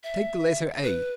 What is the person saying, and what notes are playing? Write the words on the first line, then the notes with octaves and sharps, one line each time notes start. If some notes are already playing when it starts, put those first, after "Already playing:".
Take the letter a.
E5
B4